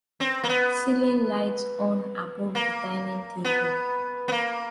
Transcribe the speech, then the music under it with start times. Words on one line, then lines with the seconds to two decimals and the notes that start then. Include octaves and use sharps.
Ceiling light on above the dining table.
0.20 C4
0.44 A#3
0.49 B3
2.55 A#3
3.45 B3
4.28 B3
4.32 A#3